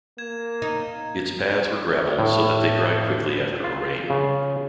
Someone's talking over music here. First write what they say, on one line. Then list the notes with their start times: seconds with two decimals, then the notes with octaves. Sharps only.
Its paths were gravel, so that they dried quickly after a rain.
0.18 A#3 G#6 E7
0.62 D#4
2.19 A2
3.64 F4
4.10 C#3